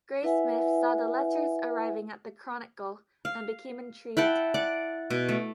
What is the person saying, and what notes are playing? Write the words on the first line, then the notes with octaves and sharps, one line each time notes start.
Graysmith saw the letters arriving at "The Chronicle" and became intrigued.
E4 B4 E5 F#5 G#5
F5
E4 F#5 G5 A5
D5 F#5
B2
A3